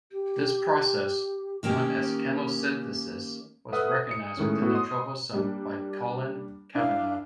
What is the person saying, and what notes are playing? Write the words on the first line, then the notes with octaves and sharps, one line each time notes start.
This process, known as chemosynthesis, was recognized within the trophosome by Colleen Cavanaugh.
G4
D#3 A#3 C#4 G4
A4 B4 E5 F#5 D#6 F6
C#7
A2 D#3 G#3 C#4
A2 B3 E4 F#4
C#5 D#5 C6 D#6
G3 A#3 D4
D4 E4 A#4 F5